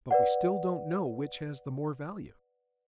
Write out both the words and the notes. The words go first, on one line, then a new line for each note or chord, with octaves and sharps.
But we still don't know which has the more value.
B4 D5 F#5